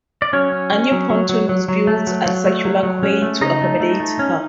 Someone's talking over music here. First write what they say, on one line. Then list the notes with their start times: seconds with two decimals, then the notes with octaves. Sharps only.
A new pontoon was built at Circular Quay to accommodate her.
0.22 D5
0.33 F#3 C#4 C#5
0.52 C#4
0.72 C#4
0.92 F#3
1.10 F#3
1.29 F#3
1.49 F#3
1.68 F#3
1.87 A3
2.07 F#3
2.26 F#3
2.45 A3
2.65 F#3
2.83 F#3
3.03 C#4
3.22 A3
3.41 C#3 D#4 D#5
3.61 A3
3.80 A3
4.00 A3
4.19 C#4